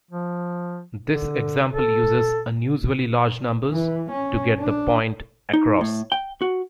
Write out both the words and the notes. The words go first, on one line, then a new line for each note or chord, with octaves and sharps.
This example uses unusually large numbers to get the point across.
F3
D3
A4
E3
C#4
D4
D#4
A2
G5
F#4